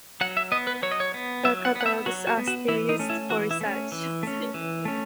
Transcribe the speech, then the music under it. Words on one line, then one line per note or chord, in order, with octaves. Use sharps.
The catalogs are still used for research.
F#3 F#5
E5
B3 D#5
B4
F#3 C#5
D#5
C#5
B3
F#3 E5
F#5
B3
F#5
E5
F#3 F#4
F#4
B3
F#4
E3 E4
D#4
A3 C#4
E4
E3 F#4
E4
A3 C#4
E3
A3 C#4
E3
A3 C#4